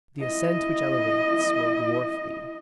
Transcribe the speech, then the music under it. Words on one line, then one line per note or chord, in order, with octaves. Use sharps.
The ascent which elevates will dwarf thee.
E4 D#5